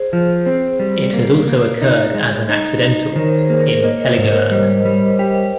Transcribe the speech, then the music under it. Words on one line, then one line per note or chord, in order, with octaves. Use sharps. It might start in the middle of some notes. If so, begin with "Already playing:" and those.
It has also occurred as an accidental in Heligoland.
Already playing: G#4 C5
F3
C4
G3
A#3
A#3
D#4
G#3
D#4
D#4
C5
D#3 A#4 C#5
G#4 C5
A#3
A#4 C#5
A#3 D#5
C#5
C5
G#2
A#4 C#5
G3
G3
G4